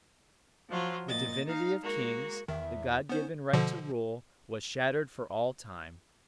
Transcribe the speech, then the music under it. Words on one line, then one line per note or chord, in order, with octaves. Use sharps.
The divinity of kings, the God-given right to rule, was shattered for all time.
F3 F#3 F4
A#2 D#5 A6
D#4 F5
G#3 A#3 F#4
E2 D#3 E5
B3 C#4 D#4 C5
B2 D3 F3